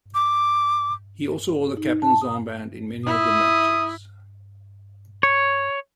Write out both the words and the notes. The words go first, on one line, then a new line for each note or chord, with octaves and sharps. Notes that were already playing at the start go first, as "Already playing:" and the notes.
He also wore the captain's armband in many of the matches.
D6
D#4
A5
D#6
E4 D#6
C#5